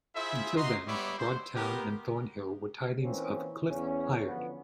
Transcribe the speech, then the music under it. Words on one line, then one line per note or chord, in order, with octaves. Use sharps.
Until then, Broad Town and Thornhill were tithings of Clyffe Pypard.
E4 F4 G#4 C5 E5
D#4 F#4 D#5 A#5 C6
G3 B3 C#5 E5 B5 D6
C5
B3 G4 A#4
A#2 E3 A#3 C4 C#4
E2 C#4
D3 F3 B3